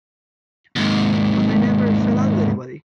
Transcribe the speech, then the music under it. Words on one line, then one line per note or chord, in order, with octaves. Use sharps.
But I never fell out with anybody.
D#2 G#2